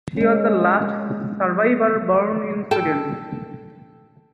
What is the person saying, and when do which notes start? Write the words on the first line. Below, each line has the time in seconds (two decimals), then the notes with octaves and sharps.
She was the last survivor born in Sweden.
0.16 G#3 C#4
2.71 A4 G5